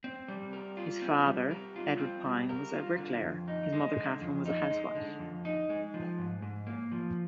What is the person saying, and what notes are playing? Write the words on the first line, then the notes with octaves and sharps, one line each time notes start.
His father, Edward Pyne, was a bricklayer; his mother, Catherine, was a housewife.
C4
G3
A#4
F4
C4
G3
A#4
F4
C4
G3
A#4
F4
D3
F2
D#4
G#3
D3
F2
D#4
G#3
D3
F2
D#4
G#3
F3
G#2
G#2
A#3
F3